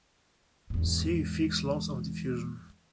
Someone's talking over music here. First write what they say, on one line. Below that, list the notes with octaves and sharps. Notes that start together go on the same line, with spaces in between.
See Fick's laws of diffusion.
E2 G#2